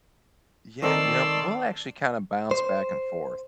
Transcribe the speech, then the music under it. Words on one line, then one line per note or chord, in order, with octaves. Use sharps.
Yeah. You know, we'll actually kinda bounce back and forth.
D#3 C4 A4 D5 C6 E6
C5